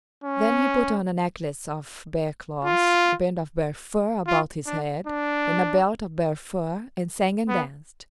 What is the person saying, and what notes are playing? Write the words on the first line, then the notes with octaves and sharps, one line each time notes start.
Then he put on a necklace of bear claws, a band of bear fur about his head, and a belt of bear fur, and sang and danced.
C#4
F4
F4
D4
D4
B3